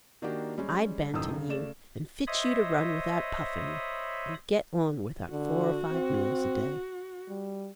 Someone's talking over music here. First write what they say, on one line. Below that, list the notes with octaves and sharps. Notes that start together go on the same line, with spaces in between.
I'd Banting you, and fit you to run without puffing, and get on without four or five meals a day.
D#3 A#3 D4 F#4 G4
G3 G#3 C#4
D#1 F#2 D#3 E3 D#6 E6
C#3
C#3 A3 D5 E7
C5 C#5 D#5 E5 B5 D#6
D3 F#4
C4
G3